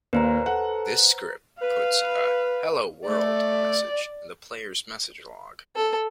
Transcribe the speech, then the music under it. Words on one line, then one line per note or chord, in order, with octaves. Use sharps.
This script puts a "Hello world" message in the player's message log.
D#2 A#2 B4 C5 A#5
A4 F#5
B4 F5
A3 D5
A4